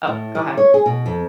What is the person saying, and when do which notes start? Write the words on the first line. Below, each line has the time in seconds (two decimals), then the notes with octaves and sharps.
Oh, go ahead.
0.07 A2
0.35 G3
0.57 C#5
0.74 G#4
0.86 B2
1.06 F2